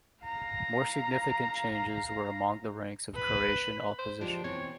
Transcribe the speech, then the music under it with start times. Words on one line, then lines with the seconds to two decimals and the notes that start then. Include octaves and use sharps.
More significant changes were among the ranks of Croatian opposition.
0.23 F5 A#5
3.15 B4
3.99 C5
4.21 F3 G#3 D4 G4
4.44 B2 E3 C4 C#5